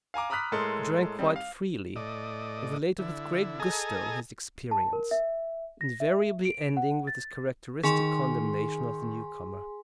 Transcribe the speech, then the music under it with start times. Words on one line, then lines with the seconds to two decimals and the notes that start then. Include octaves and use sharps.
He drank quite freely, and related with great gusto his experience, invariably ending with his characteristic condemnation of the newcomer.
0.14 F5 G#5 A#5 D6
0.30 A#5 B5 D#6 F6 F#6 B6
0.52 A2 G#3 A4 A#4 C6
1.19 G3 C4 D#4
1.36 F5
1.96 A2 D5 D#5
2.99 D3 E4
3.60 G#4 A4 D#5 G#5 A#5
4.71 A5
4.93 A#4
5.11 E5
5.81 A#6
6.00 E5
6.45 D7
6.77 F#5
7.07 A6
7.83 D#3 G#4 G#5 C6